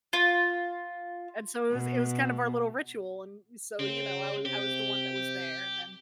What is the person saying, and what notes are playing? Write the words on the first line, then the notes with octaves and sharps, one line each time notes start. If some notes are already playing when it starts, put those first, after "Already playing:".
And, so, it was it was kind of our little ritual and, so, you know, I wa I was the one that was there, and then,
F4
B2
C#3 C4
C3 G4